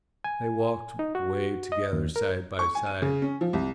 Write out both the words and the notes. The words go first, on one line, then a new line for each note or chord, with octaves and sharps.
They walked away together, side by side.
G#5
D#4
F#4
D#5
D#2
A#4
C#6
G#5
D#7
C#3
C#4
F3
C2